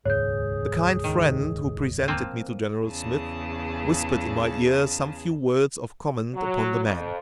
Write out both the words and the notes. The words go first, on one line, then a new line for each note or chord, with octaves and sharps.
The kind friend who presented me to General Smith whispered in my ear some few words of comment upon the man.
D#1 C#2 G#2 G#4 C#5 G6
D#3
F3 A#3 C4
E2 C#3 G#4 A5
F#3
F2